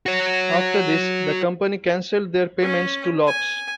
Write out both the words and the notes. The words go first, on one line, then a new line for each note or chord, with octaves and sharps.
After this, the company canceled their payments to Iops.
F#4 C#5
C#4
G#5